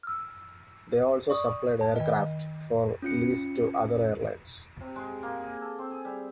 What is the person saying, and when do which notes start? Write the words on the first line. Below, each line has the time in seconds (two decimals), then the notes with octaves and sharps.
They also supplied aircraft for lease to other airlines.
0.03 E6 F6
1.30 D5 C#6 D#6
1.81 A5
1.96 D#3 D#5
3.02 C#4 F4 C#7
4.81 C3
4.96 G#3
5.23 A#3
5.40 G#4
5.61 A4
5.79 C4
5.91 G#4
6.05 G3